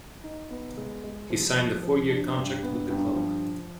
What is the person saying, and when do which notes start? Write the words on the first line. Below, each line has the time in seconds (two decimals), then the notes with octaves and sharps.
He signed a four-year contract with the club.
0.24 D#4
0.51 B3
0.77 G#3
1.04 G#3
1.30 F3
1.57 F3
1.83 F3
2.10 D4
2.36 G2
2.63 B3
2.90 G2
3.16 F3